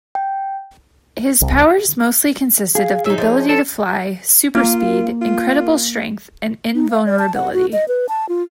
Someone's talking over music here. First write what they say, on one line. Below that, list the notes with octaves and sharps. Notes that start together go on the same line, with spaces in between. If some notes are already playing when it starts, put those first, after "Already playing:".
His powers mostly consisted of the ability to fly, superspeed, incredible strength, and invulnerability.
G5
C2
G#4 F5
D#4 C#5 E5
F3 D#4 C#5
A4
A#3 F4
F4
D#4
F5
D5
A5
F#5
F#4
D#5
B4
A5
F4